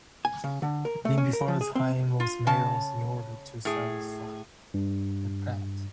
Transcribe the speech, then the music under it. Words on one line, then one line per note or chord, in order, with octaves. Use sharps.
Eating before the "time" of meals in order to satisfy the palate.
G#5
C#3
D3
A#4
A3
C#4
A#4
F3
G#4
C4
F4
C#3 A5
A2 G#4
G2